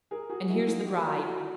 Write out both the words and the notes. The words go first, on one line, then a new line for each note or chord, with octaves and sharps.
And here's the Bride!
G#4 A#4
F#4 G#4
E4 F#4
D#4 F4
F4 G4
F#4
F4
E4 F#4